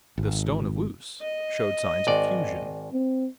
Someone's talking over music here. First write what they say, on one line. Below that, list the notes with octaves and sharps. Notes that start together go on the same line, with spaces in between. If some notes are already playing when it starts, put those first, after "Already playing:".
The stone of Luce showed signs of fusion.
G#1
D#5
G#1 D5
C4